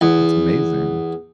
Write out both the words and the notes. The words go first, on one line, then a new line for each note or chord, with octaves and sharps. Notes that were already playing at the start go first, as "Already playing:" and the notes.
That's amazing.
E2